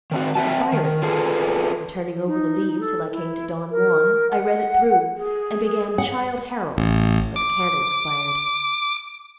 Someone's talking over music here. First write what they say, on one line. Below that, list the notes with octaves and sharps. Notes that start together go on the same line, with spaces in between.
It was Byron, and turning over the leaves till I came to Don Juan, I read it through, and began Childe Harold, but the candle expired.
D#3 C4 F#4
C4 E5 F#5 A5
D#3
F4 G#4 A4 B4
D#4
A4
E4
A#4
F#5
G#4
F#5
A1
D6